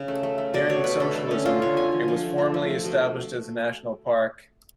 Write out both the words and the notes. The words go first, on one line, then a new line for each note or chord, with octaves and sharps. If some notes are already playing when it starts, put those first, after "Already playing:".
During socialism, it was formally established as a national park.
Already playing: C#3
A3
A3
A3
B2 D5
B2 C#5
A3 B4
D3 A4
A3
D3 C#4
D3 F4
D3 C#5
D3 G#5
F3
F3
A3
A3
F3
A3
B2